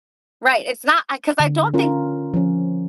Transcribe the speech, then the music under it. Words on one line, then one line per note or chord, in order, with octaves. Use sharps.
Right, it's not I 'cause I don't think
D3
C#4 F4 A#4
F3 C#4